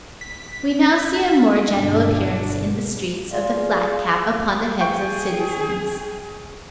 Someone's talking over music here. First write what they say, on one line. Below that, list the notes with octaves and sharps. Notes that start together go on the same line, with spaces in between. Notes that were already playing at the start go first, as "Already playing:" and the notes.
We now see a more general appearance in the streets of the flat cap upon the heads of citizens.
B6
G1 B2 D4
F4 G#4 D5 F5
G#4 G5 C#6 G6